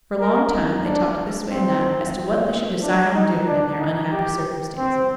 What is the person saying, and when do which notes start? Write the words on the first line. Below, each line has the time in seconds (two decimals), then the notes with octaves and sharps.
For a long time they talked this way and that as to what they should decide on doing in their unhappy circumstances.
0.20 A#4
0.53 D#4
0.86 D4
1.50 C4
2.82 D4
3.14 D#4
3.47 D4
3.80 D#4
4.12 G4
4.78 C4